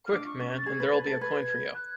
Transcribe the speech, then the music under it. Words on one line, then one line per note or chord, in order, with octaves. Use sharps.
Quick, man, and there'll be a coin for you.
F4 F6
D4 D6
C#6
C#4
A6
G#4 G#6
B4
A6
B4
G#6
A6
A4
B4 G#6
F#6